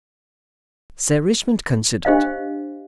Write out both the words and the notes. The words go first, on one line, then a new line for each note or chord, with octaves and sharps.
Sir Richmond considered.
D4 G4 C5 D#5 F5